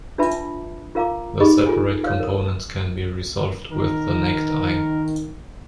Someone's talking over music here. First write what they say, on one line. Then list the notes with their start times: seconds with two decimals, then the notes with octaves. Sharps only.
The separate components can be resolved with the naked eye.
0.18 D4 F4 B4 E5 A5 B5
0.95 F4 A#4 F5 A#5 D6
1.40 D#4 G4 G#4 D#5 B5 D6
1.66 F4 A4 G#5
2.04 C#5 F5
2.20 A#4 D#6
3.72 D#3 A#4